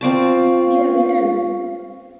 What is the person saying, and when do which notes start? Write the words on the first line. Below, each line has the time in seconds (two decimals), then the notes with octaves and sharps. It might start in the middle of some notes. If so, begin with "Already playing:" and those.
Yeah, they do.
0.01 C4 F4 D5 F5 A5 C#6